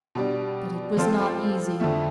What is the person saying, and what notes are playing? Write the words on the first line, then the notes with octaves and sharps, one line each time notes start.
But it was not easy.
B2 G3 D4
F3 C4 F4 A4 C5
F2 D3 A3 E4